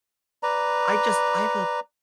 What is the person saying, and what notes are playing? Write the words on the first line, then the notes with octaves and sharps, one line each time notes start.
I just I have a
B4 D5 A#5